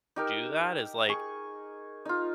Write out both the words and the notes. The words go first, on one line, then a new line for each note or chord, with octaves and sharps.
do that is, like,
D#4 G4 A#4
G#4 C#6
D#4 F4